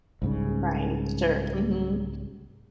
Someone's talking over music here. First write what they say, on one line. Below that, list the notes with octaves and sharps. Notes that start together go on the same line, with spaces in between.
Right, sure. Mhm.
C2 G#2 C#3